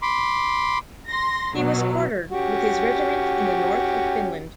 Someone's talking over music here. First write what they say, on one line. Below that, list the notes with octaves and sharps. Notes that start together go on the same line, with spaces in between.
He was quartered with his regiment in the north of Finland.
B5 C6 D6
C6 A#6
B2 F#3
C#4 F#4 G4